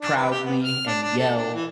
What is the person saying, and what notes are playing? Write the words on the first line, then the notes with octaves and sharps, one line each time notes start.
proudly and yell,
D4
B4
G4
B3
F6
D4
D4
A4
D4
E3